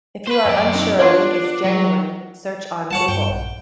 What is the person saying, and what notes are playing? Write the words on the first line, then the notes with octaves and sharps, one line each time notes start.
If you are unsure a link is genuine, search on Google.
B4 C5
F#2 D5
C4 D#4
B3 D4 F4 C#5
F#3
C#5 F#5 A5
G2 G5
A#1 F#5